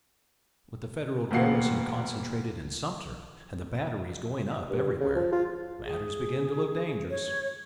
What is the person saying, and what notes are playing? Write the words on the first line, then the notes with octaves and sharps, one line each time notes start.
"With the Federal garrison concentrated in Sumter and the batteries going up everywhere, matters begin to look dangerous."
E1 D2 A#2 A#3 F#5 C7
G2
C#3
F3
F4
G#4
C#5